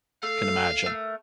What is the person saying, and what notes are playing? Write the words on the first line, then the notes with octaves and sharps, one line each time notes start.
Can imagine.
A3 F5
A3 A#4